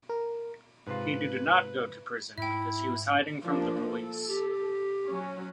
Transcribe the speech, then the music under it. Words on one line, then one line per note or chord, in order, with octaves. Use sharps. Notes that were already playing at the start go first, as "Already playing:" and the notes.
He did not go to prison because he was hiding from the police.
A#4
G#2 C3 F4 B4
G#2 E4 E5 G5
F3 A#3 D4
A4
G4
F#3 C#4